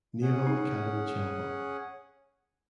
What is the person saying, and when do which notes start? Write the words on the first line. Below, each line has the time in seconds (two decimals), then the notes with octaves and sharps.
Naval Academy Chapel.
0.22 C#4 G#4 F#5
0.47 D#4